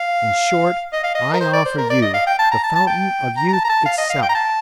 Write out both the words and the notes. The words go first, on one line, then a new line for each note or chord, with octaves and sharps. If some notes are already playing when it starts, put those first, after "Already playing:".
"In short, I offer you the fountain of youth itself!"
Already playing: F5
D#5
F5
D#5
A#4
C5
D5
C5
A#4
D5
D#5
F5
G5
A5
A#5
A5
A5
G5
A#5
A#5
A5
A#5
A5
F5
D#5
F5
G5
A#5
A5